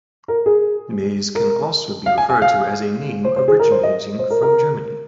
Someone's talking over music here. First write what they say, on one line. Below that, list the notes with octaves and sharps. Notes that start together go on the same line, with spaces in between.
Meis can also be referred to as a name originating from Germany.
A#4
G#4
A#4
F5
G#5
G#5
F5
C5
C5
G#4
A#4
C5
D#5
C5
A#4
A#4